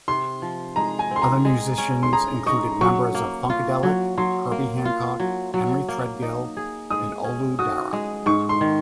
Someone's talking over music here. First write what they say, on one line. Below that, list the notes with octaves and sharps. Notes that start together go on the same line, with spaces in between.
Other musicians included members of Funkadelic, Herbie Hancock, Henry Threadgill and Olu Dara.
C3 C6
F3
G#3 A#5
G#5
C4 C6
A#5
G#3
C#4
C6
G#4 A#5
D#5 C#6
F#3 C#6
A#3
F4
F#3
F#3 C6
A#3
F4
F#3
F#3
A#3
D#4
G#4
G#3 D#6
C#4
F#4 D#6
G#3
G#2 C#6
C6
D#3